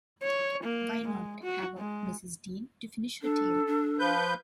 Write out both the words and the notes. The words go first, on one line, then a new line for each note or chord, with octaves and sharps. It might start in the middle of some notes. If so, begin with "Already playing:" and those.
Why not have up Mrs. Dean to finish her tale?
C#5
A#3
G#3
F#4
G#3
D4 A4
D4
F3 B4 G6